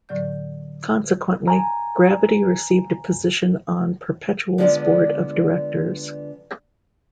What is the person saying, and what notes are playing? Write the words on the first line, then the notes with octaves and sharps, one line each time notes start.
Consequently, Gravity received a position on Perpetual's board of directors.
A2 D3 F#3 D5 G6
G#5 A#5
D3 F3 G#3 B3 D4